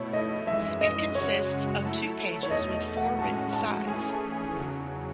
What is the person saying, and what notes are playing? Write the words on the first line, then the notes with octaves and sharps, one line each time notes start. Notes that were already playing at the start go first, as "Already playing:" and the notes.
It consists of two pages with four written sides.
Already playing: B2 A3 E4 C#5
D#5
F#2 E3 G#3 E5
D#5
F#2 C#3 G#3 C#4 F#4 C#5
F#3 A3 E4 A4
C#5
E2 B2 A3 D#5
D#5
F#5
A2 G#3 C#4 F#4 A5
A5
E3 A3 C#4 G#4 G#5
A5
G#5
E2 C#3 F#3